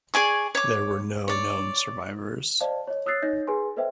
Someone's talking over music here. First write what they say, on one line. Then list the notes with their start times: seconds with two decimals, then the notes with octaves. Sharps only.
There were no known survivors.
0.14 G#4 D5 G#5 C#6
0.55 C#5 D6
1.28 C#5 D5
2.60 C5 D5 D#5 F5 A5
2.87 C#5 D#5
3.06 C#5 D#6 E6 F#6 A6 C7
3.22 D#4 C#5 D#5 G6 A#6
3.47 G#4 B4 G#5 C6
3.77 A4 B4 C5 D#5 E5 G5